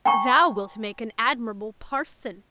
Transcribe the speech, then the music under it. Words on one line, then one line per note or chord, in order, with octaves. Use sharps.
Thou wilt make an admirable parson.
G5 G#5 A#5 C#6